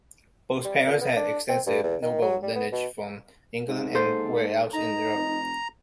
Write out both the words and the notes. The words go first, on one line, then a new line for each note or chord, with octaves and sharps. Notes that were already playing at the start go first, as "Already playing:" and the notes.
Both parents had extensive noble lineage from England and elsewhere in Europe.
G3
A#2
B3
D4
C4
G2
E2
D#3
F#3
G3
B3
B2
G#2
A#3 A4 C5
D#4 A#5
F1